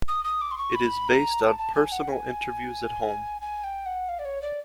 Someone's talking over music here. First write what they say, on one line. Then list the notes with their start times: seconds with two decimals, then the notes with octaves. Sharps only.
It is based on personal interviews at home.
0.08 D#6
0.24 D#6
0.41 D6
0.51 C6
0.58 C#6
0.75 B5
1.08 A#5
1.41 A5
1.58 A5
1.74 G#5
1.92 F#5
2.08 G#5
3.41 G#5
3.64 G5
3.86 F#5
4.08 F5
4.19 D5
4.25 C#5
4.42 D5